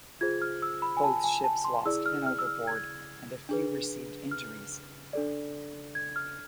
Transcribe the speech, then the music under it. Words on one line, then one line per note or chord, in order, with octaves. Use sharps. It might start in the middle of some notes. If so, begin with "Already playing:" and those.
Both ships lost men overboard, and a few received injuries.
F4 G#4 C5 G#6
F6
E6
B5
G#5
A5
G#5
A5
C6
E4 G#4 D5 E6
F6
F6
E6
F6
G#6
D4 G#4 B4
F6
D4 A4 D5
G#6
F6